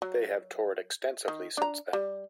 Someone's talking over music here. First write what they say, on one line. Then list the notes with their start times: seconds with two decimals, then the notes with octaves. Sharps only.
They have toured extensively since then.
0.02 F#3
1.28 D#3
1.57 D4 A#5
1.93 G3